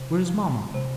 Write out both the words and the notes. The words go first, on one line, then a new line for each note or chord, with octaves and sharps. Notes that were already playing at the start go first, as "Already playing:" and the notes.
Where's mama?'
Already playing: C3
F3
C3